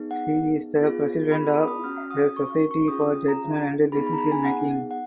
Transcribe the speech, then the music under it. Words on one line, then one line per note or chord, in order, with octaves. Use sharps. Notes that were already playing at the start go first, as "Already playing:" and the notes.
She is the President of the Society for Judgment and Decision Making.
Already playing: B3 D#4 G#4
F#5
B3 F4 G#4
B5
B5
D#6
C#4 F#4 F6
D#6
C#6
C#6
C#4 F4 G#4 D#6
D#6
A#5
B3 D#4 G#4 B5
B5
A#5
B5
G#5
F#5
F#5